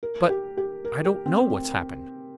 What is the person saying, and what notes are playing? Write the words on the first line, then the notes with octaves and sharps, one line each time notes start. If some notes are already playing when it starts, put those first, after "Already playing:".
"But I don't know what's happened."
A#4
G4
G4
A#4
G4
C4